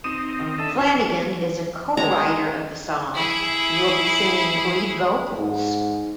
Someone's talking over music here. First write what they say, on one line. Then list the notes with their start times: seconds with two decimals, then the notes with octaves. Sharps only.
Flanagan is a co-writer of the song, and will be singing lead vocals.
0.04 C4 D#4 D#6 D#7 E7
0.39 D#3 D#6
0.58 D4 A4 D#5 E5 A5
0.78 F2 C#4 C5 E5 A5
1.97 G#3 A#5
3.15 E4 G#4
5.39 G#2